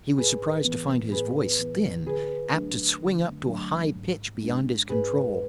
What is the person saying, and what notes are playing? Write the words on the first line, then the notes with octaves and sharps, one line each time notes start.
He was surprised to find his voice thin, apt to swing up to a high pitch beyond his control.
A2 G#4 B4
E3 B3
A2 G#4 B4
E3 B3
D3 G#4 B4
F#3 A3 D4
D3
F#3 A3 D4
G#2
G#3 D4
G#2 G#4 B4